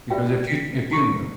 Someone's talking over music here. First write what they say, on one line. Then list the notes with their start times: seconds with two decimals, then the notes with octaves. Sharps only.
because if you if you, uh
0.10 F4 F#4 B4 D5 E5 G5
0.91 E4 B5 C#6